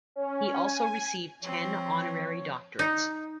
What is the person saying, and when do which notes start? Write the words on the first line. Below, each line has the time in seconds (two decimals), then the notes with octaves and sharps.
He also received ten honorary doctorates.
0.16 C#4
0.58 G#5
1.44 F3 C4 C#5
2.79 D#4